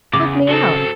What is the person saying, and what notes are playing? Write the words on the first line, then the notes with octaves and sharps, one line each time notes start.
Help me out!
E2 C#3 B4 D6
F#3 C4 A4